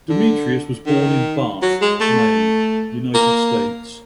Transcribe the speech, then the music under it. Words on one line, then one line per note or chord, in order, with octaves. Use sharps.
Demetrius was born in Bath, Maine, United States.
D3
D#3
F#3
G#3
A3
A#3